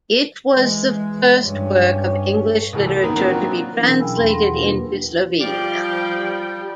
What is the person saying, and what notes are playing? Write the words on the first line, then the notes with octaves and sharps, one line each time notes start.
It was the first work of English literature to be translated into Slovene.
E3 G#3
G2 C#4
C2 A2 E3
D#3 A#3 B3
F#3 A#3 C4 D4 F4 A#4
E3 F#3 C#4 D4 E4 A#4
B2 G#4
F5 G5 G#5 B5 E6
E2 G#4 B5 C6
B2 F5 F#5 C6 A#6
A#3 D4 F4 A#4 B4
F3 G3 G4 D5 F5 G5